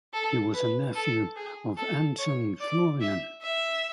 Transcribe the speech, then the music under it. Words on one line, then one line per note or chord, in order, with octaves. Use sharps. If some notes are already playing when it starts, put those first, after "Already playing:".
He was a nephew of Anton Florian.
A4
B4
A4
G#4
A4
C#5
D5
E5
E5